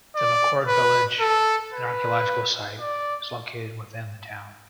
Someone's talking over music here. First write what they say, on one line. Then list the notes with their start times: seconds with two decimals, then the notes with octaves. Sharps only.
The McCord Village, an archaeological site, is located within the town.
0.16 D5
0.68 B4
1.21 A4
1.73 B4
2.80 D5